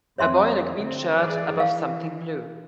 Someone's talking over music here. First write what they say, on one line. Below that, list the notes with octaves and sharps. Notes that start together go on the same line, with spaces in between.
A boy in a green shirt above something blue.
F2 C4 C#5 E5 C6
D3 C4
E3 G#4 D5
E3 F5